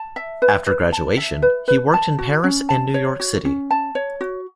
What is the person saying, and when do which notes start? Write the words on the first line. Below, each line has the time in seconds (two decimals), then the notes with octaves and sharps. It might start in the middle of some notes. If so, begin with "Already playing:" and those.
After graduation, he worked in Paris and New York City.
Already playing: A5
0.16 E5
0.42 B4
0.66 B4
0.92 A5
1.17 E5
1.42 B4
1.68 B4
1.94 A5
2.19 F#4
2.44 C#4
2.69 A5
2.94 C#5
3.20 F#4
3.45 C#4
3.71 A5
3.95 C#5
4.21 F#4